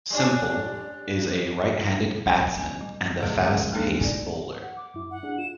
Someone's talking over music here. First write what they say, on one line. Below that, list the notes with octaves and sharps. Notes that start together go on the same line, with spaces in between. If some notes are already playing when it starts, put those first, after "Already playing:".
Semple is a right-handed batsman and a fast pace bowler.
G3 C#4 D4
G#5
G3
D3 F#3 A3 G#4 C5 F#5
F3 G#3 C#4 G4 G#4 A#4
G#3 A#3 D4 D#4 A4
D5 G#5
F#5
D6
F#2 E4
F#5
D4 G#4
F4 E7